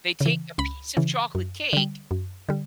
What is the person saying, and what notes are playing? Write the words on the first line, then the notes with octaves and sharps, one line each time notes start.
They take a piece of chocolate cake,
C#3
E3
C#2 B5
C#3 E3
F#2
D3 G3
F#2
D3 G3